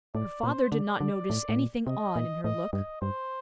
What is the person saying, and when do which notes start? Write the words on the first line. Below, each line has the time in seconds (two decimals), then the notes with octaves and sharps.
Her father did not notice anything odd in her look.
0.15 A2 D5
0.43 A#2 C5
0.72 D3 D5
1.00 D3
1.30 A2
1.49 A2
1.58 A#2
1.87 C3 D#5
2.16 A#2
2.44 A2 D#5
2.73 G2 D#5
3.01 G2 C5